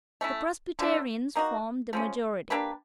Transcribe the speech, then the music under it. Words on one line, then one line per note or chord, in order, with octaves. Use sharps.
The Presbyterians formed the majority.
A3 C#4 E4
D3 F3 A3 D4
A#3 D#4 F#4
F3 G#3 C#4
A#3 D4 G4 B4